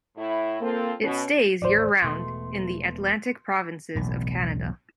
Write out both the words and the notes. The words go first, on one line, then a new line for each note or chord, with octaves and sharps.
It stays year round in the Atlantic provinces of Canada.
A2 E4
A#3 C4 F4 A4
B2 C#4
A1 D#2 A2 C5 D5
E1 B2 A3 C6
E1 B1 A2